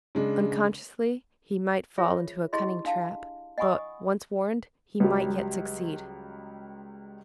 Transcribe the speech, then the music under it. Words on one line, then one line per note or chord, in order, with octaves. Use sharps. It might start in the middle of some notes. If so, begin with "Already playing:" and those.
Unconsciously, he might fall into a cunning trap, but--once warned--he might yet succeed.
C#3 G#3 D4
F4 G#4 C#5 E5
E4 G4 G#4 D#5 C6
D4 F5 A5
D#5 F#5 G#5 B5 C#6 D#6
C#2 F#3 G3